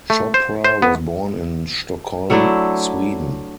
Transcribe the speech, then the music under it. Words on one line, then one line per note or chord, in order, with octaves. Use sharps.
Chopra was born in Stockholm, Sweden.
A3
C5
C5
B3
F#3 A3 D4 E4